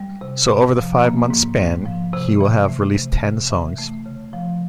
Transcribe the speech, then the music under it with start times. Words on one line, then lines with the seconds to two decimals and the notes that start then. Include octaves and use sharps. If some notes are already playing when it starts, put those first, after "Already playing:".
So over the five-month span he will have released ten songs.
Already playing: G3
0.21 C3
0.48 G#2
0.76 F3
1.04 A#3
1.30 G#2
1.59 G#2
1.85 F3
2.13 C3
2.40 E3
2.68 A3
2.95 C3
3.23 C3
3.50 E3
3.78 A3
4.06 C#3
4.33 F3